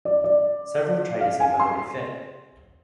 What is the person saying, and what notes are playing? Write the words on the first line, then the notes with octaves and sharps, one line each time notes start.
Several tried to see whether they fit.
D5
D5
F5
G#5
C6